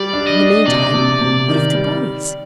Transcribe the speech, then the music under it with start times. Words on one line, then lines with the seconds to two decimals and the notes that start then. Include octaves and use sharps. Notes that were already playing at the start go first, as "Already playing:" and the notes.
In the meantime, what of the boys?
Already playing: G3 D5
0.13 D4
0.27 D#5
0.39 D4
0.67 C3 D5
0.94 C3
1.21 C3
1.48 D#3
1.75 G3